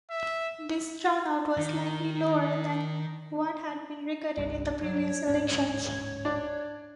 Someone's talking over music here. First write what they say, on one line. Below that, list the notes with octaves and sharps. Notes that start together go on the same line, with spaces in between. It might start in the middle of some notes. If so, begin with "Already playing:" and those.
This turnout was slightly lower than what had been recorded in the previous elections.
E5
D#3
G1 C2 G2
G2 F#3 C#5
D1 G#2 C#4
D4 D5